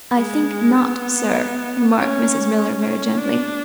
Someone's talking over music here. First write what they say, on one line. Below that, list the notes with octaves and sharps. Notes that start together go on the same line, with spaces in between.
"I think not, sir," remarked Mrs. Miller very gently.
G#3
B3
C#4
C#4
D4